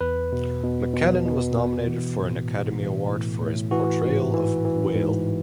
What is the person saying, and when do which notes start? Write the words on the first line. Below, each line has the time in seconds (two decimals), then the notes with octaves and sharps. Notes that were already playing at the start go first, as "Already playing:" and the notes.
McKellen was nominated for an Academy Award for his portrayal of Whale.
0.01 E2 B4
0.32 B2
0.63 B2
0.94 B2
1.25 B2
1.56 B2
1.87 E3
2.18 A2
2.48 A2
2.79 E3
3.10 A2
3.41 A2
3.71 E3 F#4
4.03 G#2
4.34 E3
4.65 E3
4.95 G#2